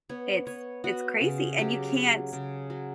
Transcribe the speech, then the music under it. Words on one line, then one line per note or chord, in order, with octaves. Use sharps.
it's it's crazy, and you can't
B3 C#5
B3 C#5
B3 F#4
C#3
F#3 G4
F#3
C#3
F#3